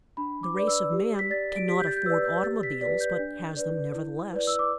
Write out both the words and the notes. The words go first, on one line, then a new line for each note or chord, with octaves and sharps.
The race of man cannot afford automobiles, but has them nevertheless.
D4 B5
D6
B4 D5
E6
G4
B6
D5 A6
D7
G4 B6
G6
A6
G6
B4 D5 E6
G6
G4 A6
B6
B4 D5 B6
G6
D4
B4 D5
E4
B4 D5
E6
D6